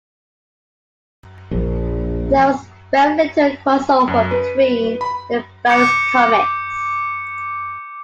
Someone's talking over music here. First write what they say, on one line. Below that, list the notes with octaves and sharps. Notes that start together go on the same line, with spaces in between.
There was very little crossover between the various comics.
A#1
F#2
B4
B5
D6 G6 C#7